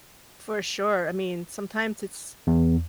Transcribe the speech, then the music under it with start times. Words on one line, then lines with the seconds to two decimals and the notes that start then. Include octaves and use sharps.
For sure. I mean, sometimes it's
2.47 E2